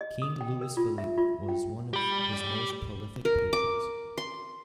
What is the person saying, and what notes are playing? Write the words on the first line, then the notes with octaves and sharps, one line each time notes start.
King Louis-Philippe was one of his most prolific patrons.
D#5
D#6
G5
A#4
F4
E5
F4
G5
G4 B5
A#4
D6
C6